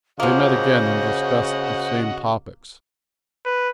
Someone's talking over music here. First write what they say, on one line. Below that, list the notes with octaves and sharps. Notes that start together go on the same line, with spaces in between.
They met again and discussed the same topics.
C#3 F3 A#3 F#4 C5 D#5 F#5
B4